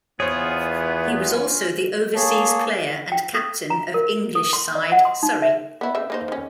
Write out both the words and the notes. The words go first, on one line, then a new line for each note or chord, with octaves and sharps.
He was also the overseas player and captain of English side Surrey.
E2 B3 F4 G#4 C5 C#5
A#3 G#4 C#5 A5
G5
A4
A#5
A#4
A4
C6
D#5
F#5
C6
D#4
E5
B3 E4
C#3 E5
A#3 D#4 C5
D#3 C#4